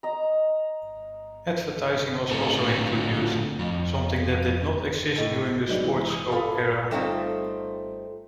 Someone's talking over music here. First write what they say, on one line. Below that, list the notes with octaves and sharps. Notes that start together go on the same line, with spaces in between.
Advertising was also introduced, something that did not exist during the Sportscope era.
D#5 A#5
A2 D3 C4 A4
F2
A2 D#5 A6
F#3 G#3 D#4 G4 B4 D5
E3
D#6
F4 G4 A4 F5 B5
G3 A3 C4 D#4 F4 A4